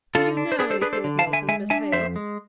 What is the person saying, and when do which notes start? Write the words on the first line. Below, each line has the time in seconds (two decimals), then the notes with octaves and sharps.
'Do you know anything of Milton, Miss Hale?
0.15 D3 F4 A4
0.37 D4
0.52 C5
0.59 D4 G#4 B4
0.70 A4 C5
0.81 D4 G#4 B4
0.93 A4 C5
1.04 D3
1.19 F5 A5
1.27 D3
1.33 E5 G#5
1.48 G#3 E5 G#5
1.70 D4 E5 G#5
1.92 F2 C5 E5
2.16 G#3